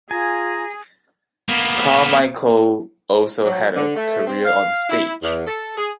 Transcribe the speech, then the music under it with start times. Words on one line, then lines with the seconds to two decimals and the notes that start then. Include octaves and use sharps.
Carmichael also had a career on stage.
0.11 F4 G#4 G#5 A#5
1.49 A#3 B3
3.44 F#3
3.75 D3
3.96 A3
4.27 C4
4.45 F5
4.90 E4
5.22 E2
5.46 A4
5.76 G#4